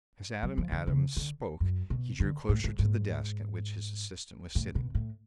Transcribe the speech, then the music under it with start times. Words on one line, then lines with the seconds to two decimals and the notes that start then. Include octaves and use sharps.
As Adam Adams spoke he drew closer to the desk at which his assistant was sitting.
0.43 F#3
0.58 F3
0.72 D3
0.87 C#3
1.17 D3
1.60 F#2
1.90 B2
2.20 D3
2.49 A2
2.64 G#2
2.79 G#2
4.55 A2
4.75 B2
4.95 A2